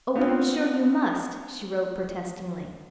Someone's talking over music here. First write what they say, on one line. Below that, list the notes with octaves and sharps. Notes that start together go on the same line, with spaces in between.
"Oh, but I am sure you must," she wrote protestingly.
B3 C4 D4 F4